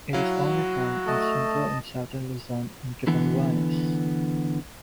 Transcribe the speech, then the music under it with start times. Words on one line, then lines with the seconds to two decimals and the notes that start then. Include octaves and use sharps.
It is only found in Central and Southern Luzon and Catanduanes.
0.13 F#3 E4 F#4 F5
1.07 A3 D#5 A5
3.07 D3 E3 B3